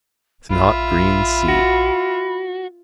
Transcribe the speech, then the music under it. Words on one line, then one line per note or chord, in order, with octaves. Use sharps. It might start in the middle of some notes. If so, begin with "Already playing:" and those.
The snotgreen sea.
A#1 F4 E5 B5
F#4